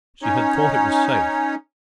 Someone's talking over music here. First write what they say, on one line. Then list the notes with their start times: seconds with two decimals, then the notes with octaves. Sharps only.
She had thought it was safe.
0.22 C#4 D#4 C#5